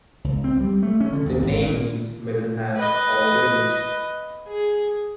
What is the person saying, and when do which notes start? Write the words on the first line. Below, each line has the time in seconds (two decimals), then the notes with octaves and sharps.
The name means "middle "ham" or village".
0.24 C#2
0.44 C4
0.60 G3
0.83 A3
1.00 C#4
1.13 D3
1.26 D#2
1.42 G#1
1.62 A#2
2.77 B4 D#5
4.48 G#4